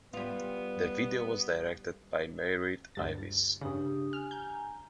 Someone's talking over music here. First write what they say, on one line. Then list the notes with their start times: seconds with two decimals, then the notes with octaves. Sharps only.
The video was directed by Meiert Avis.
0.13 G3 B3 F4
2.95 D2 G2 A6
3.61 G2 C#3 D4 G4 D#6
4.13 G#5 F6
4.31 G#5 A#5 G6